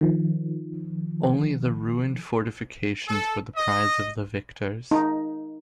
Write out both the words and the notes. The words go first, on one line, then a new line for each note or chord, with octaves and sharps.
Only the ruined fortifications were the prize of the victors.
D#3 F3
A4
D#5
D#4